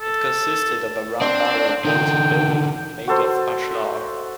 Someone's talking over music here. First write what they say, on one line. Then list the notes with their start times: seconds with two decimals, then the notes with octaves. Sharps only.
It consisted of a round barrel-vaulted building made of ashlar.
0.01 A4
1.21 C4 D4 D5
1.85 D3 D#4 G5
3.08 F#4 A4 C5 C6